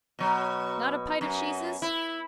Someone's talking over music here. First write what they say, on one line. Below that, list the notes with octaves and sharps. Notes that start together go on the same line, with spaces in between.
Not a pite of sheeses?
B2 F#3
F#2
E4